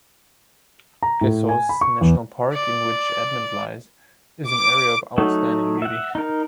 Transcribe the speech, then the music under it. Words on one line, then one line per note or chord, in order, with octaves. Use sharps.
Gesause National Park, in which Admont lies, is an area of outstanding beauty.
A#5
A2
G#5
B5
C#6
E2
D5
D6
F#3 A3 D#4
E5 F#5
D#4 A#4